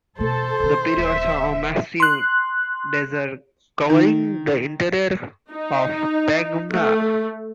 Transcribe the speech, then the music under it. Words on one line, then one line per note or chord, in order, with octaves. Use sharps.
The period saw a massive desert covering the interior of Pangaea.
E2 B2 A4 C5
B2 D#3
D#1 E5
C6 F#6
D#3
D#4
A3